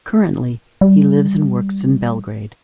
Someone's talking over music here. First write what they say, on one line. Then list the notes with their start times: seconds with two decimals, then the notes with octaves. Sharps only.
Currently, he lives and works in Belgrade.
0.81 G3